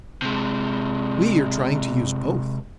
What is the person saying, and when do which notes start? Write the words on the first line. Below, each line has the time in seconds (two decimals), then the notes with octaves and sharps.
We are trying to use both.
0.22 C3 G#3